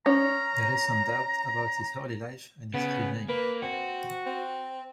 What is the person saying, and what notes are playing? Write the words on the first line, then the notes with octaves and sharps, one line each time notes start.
There is some doubt about his early life and his real name.
C#4 A#5
C#3 B3
A#3 B4
C4 F#4
C4